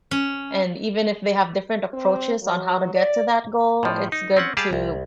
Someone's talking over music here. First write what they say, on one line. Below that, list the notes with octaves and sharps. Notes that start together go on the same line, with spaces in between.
and even if they have different approaches on how to get to that goal, it's good to
C#4
C4
F#3
D5
A2 F3
D#4
C4 C#4 F#5
G3 G4 G#4 F5 A5
C2